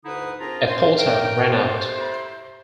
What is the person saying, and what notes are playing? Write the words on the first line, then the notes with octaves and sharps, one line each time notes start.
A porter ran out.
D2 D3 D#4 E4 B4 D#6
C4 D4 F4 G#4 A#4 A#5
C#3 C#4 C5 C6
A#4 G5
E4 G4 A4 C5